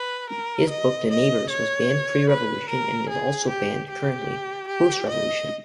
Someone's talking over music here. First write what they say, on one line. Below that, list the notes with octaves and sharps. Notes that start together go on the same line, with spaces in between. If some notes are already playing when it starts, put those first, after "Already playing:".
His book "the neighbours" was banned pre-revolution and is also banned currently post-revolution.
Already playing: B4
A#4
D#5
D#5
C#5
B4
A#4
G#4
G4
G4
G4
D#5